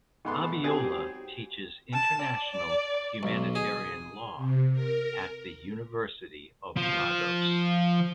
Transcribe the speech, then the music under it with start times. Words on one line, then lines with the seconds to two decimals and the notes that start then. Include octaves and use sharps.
Abiola teaches International Humanitarian Law at the University of Lagos.
0.25 G#2 G#3 A3 B3 C6
0.64 G#2 F#3 C4 G4 G#4
1.93 A5
2.22 D5
2.51 D5
3.23 B1
3.55 G#4
4.35 C3
4.72 A#4
6.77 F3